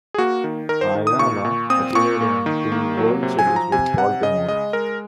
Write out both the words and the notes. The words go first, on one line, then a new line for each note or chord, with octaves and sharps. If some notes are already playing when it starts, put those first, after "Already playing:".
Ayala appeared in two World Series with Baltimore.
G#4
A#3 F#4
D#3
D#3 A#4
C5
D#3
D#6
A#2 C#6
A#2
C4 D#6
A#2 C#6
A#3
D#3
A#3
F#3
C3
G#5
F3
A#5
C3 G#5
C3 F#5
C#3 D#5
G#3 D#5
G#3 A#4